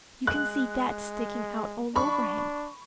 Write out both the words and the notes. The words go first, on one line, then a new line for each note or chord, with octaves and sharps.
You can see THAT sticking out all over him.
G#3 F#6
D4 B5 C#6